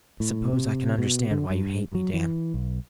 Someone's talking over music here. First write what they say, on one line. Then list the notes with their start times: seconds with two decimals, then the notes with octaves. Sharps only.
"I suppose I can understand why you hate me, Dan."
0.20 A2
0.53 C3
0.98 B2
1.31 D3
1.50 G2
1.95 F#3
2.14 E3
2.54 B1